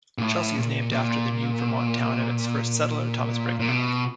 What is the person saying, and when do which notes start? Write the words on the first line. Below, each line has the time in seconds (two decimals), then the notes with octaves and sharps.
Chelsea is named after the New-Vermont town of its first settler, Thomas Brigham.
0.18 A#2
0.22 A2
0.57 A#2
0.91 A#2
3.59 A#2
3.68 B2